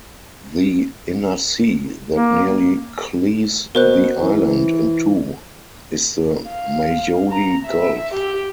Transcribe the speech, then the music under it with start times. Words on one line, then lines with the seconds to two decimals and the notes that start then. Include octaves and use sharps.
The "inner sea" that nearly cleaves the island in two is the Majoli Gulf.
2.11 A#3
3.75 B2 A#4 C5 F#6
4.22 E3
6.49 F5
7.31 A#5
7.65 E5
8.14 G4